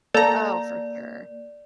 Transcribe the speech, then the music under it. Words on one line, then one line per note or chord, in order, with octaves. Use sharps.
Oh, for sure.
A#3 A4 D5 A#5